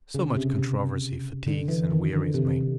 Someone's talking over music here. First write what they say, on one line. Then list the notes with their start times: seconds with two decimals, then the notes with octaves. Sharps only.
So much controversy fatigues and wearies me.
0.15 C#3
0.36 C3
0.59 C3
1.47 D3
1.68 E3
1.90 D#3
2.12 D3
2.34 C3